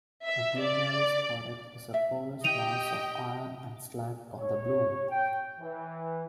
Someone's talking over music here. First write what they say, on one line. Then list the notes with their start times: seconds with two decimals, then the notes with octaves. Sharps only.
A bloomery's product is a porous mass of iron and slag called a bloom.
0.24 E5
0.60 D5
1.94 E5
2.44 G4 D#5 G5 D#7 F7
4.37 C#5
5.09 G5
5.59 E3